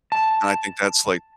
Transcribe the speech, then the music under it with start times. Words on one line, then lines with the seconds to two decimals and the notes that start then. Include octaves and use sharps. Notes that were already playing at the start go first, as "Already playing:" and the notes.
And, I think that's like
0.12 A5